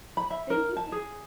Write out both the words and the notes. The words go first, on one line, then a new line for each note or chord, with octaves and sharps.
Thank you fo
B5
E5
A#4
A5
G#4